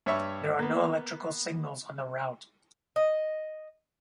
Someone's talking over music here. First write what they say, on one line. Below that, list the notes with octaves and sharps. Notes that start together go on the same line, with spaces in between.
There are no electrical signals on the route.
G2 C#5 E5 C#6
A#3 B3
D#5